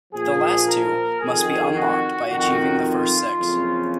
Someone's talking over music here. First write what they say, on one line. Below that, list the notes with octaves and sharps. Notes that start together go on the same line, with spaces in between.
The last two must be unlocked by achieving the first six.
A#1 A#2 F3 G#4
A#4
F2 D#3 G#4
F#4
F2 D#3 F#4
F4
F#1 F2 C#3